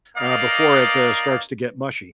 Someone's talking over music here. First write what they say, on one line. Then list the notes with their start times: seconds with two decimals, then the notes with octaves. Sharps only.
uh, before it, uh, starts to get mushy.
0.17 A#3 D#4 A#4 D5 D#5 F5